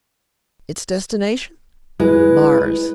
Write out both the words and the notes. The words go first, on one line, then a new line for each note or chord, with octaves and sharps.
Its destination--Mars!
G#3 E4 B4